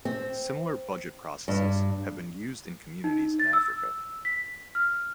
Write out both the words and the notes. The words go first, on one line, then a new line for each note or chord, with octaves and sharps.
Similar budget processes have been used in communities in Africa.
C4
G2
D#4
A6
E6
B6
F6